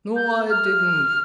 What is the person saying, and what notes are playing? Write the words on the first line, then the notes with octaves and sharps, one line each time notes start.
No, I didn't.
G6
F6